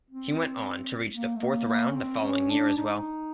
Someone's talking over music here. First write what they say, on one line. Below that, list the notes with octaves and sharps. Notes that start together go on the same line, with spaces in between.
He went on to reach the fourth round the following year as well.
C4
A#3
A3
A#3
A#3
C#4
C4
C#4
D4
D#4